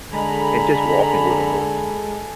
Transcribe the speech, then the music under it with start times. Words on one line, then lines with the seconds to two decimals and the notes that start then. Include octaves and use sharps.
and just walking with 'em, or
0.13 D3 G#3 A4 G#5 A#5 B5